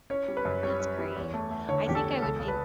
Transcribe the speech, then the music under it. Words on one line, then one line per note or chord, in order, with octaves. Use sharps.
That's great, I think I would be
C#4 C#5
G3
B4
F#2
G3 C#5
C#4
G3
E2
A3
A3
D3 C#5
E2 G4
A4
E2
C#2 A4
C#2
B4